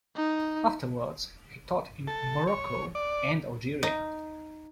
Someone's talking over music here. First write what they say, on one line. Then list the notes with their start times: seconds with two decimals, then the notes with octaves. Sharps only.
Afterwards, he taught in Morocco and Algeria.
0.16 D#4
2.08 A4
2.47 C#5
2.95 D5
3.83 D#4